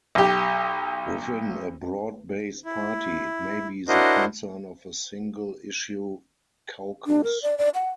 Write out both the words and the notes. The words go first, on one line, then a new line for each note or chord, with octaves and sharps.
Within a broad-based party it may be the concern of a single-issue caucus.
B1 G4
E4
D4 E4 F#4 A#4 C5 D#5
D4
A#4
D5
D5
F#5